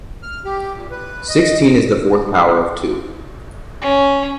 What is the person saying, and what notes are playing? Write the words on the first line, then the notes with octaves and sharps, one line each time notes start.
Sixteen is the fourth power of two.
F6
G4
A#2
B4
D#5
C#4